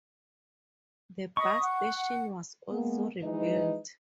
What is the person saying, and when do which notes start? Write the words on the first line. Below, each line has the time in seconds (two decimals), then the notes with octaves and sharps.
The bus station was also rebuilt.
1.37 D#5 B5 C#6 D#6
1.62 F#5
2.71 G#3 A#3 B3
3.22 E3 F3 G#3 D#4 B4 D#5